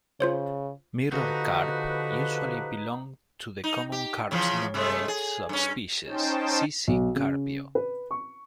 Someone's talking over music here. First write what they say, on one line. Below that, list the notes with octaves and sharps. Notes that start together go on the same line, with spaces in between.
Mirror carp usually belong to the common carp's nominate subspecies, "C. c. carpio".
C#3 F4 C5 C#5
D3 F3 D#4 F#4 G4 B4
D#4
G4
C#3 E3 F3
C3 G#3 A3
G#4
G2 C#4
C#4 D#4 C5 G5 A5
B1
C#3
B4
C#6